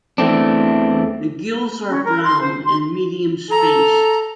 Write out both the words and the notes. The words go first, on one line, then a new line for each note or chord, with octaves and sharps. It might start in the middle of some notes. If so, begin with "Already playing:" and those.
The gills are brown and medium spaced.
E2 E3 A3 C4 D4
C#4
A#4
C6
C5
C6
A4 A#5